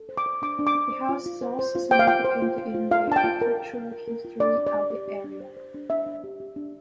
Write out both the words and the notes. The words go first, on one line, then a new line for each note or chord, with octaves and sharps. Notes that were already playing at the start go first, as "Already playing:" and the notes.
The house is also significant in the architectural history of the area.
Already playing: A4
C5
D6
C5
D4 D6
D4
D6
D4
C5
F4
F4
C5
C5
F4
C5 G5
F5
F4 G5
C5
F4
C5
F4
F4 F5
D4 A5
G5
F4
A#4
A#4
A#4
A#4
A#4
F4
D4 D5
D4
D5
D4
G4 D5
G4
D4
C5
C5
D4
D4 E5
D4
G4
G4
D4